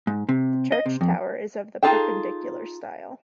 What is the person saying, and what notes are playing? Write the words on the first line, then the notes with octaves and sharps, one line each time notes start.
The church tower is of the Perpendicular style.
G#2
C3
D#5
C3
F2
D#4 F4 G#4 A4 G5